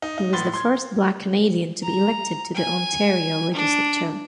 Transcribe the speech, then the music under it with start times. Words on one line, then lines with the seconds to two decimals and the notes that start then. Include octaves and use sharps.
He was the first Black Canadian to be elected to the Ontario Legislature.
0.02 D#4
0.18 D#4
0.33 A2 B3 C6 A6 G7
0.54 C6 G#6
1.83 A#5
2.55 G#5
3.53 D4